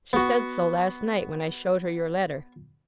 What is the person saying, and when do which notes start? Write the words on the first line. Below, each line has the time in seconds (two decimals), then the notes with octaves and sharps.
She said so, last night, when I showed her your letter.
0.13 B3 F#4